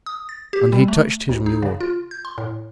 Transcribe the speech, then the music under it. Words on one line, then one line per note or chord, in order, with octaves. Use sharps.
And he touched his mule.
D#6
A6
G4
G3
A3
D2
D#4
C#3
F4
G6
C6
A2